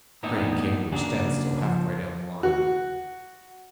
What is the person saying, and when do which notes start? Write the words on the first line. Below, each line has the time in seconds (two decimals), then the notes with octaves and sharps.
The crane came to a standstill half-way down the line.
0.23 A2 A#3 B3 D4 D#4 E5
0.92 C#3 A#3 D4 F#4
1.62 F3
2.43 F#4